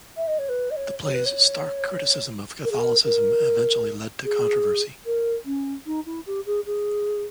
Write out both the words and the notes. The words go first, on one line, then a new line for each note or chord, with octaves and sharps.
The play's stark criticism of Catholicism eventually led to controversy.
E5
D#5
C#5
B4
D#5
C#5
C#5
B4
C#5
A#4
G#4
A#4
A#4
G#4
A#4
C#4
D#4
E4
G4
G#4
G#4